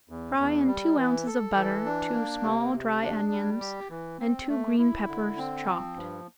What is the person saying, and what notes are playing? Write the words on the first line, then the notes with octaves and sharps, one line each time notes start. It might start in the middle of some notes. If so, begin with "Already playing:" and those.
Fry in two ounces of butter two small dry onions and two green peppers, chopped.
E2
E2
G3
E3
A4
E3
D4
A#3
C3
C3
D4
G3
G4
E3
C4
A3
E4
D3
C4
F3
G2